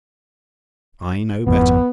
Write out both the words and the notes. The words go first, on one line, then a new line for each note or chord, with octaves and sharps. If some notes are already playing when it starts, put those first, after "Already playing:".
I know better.
G#1 F2 B3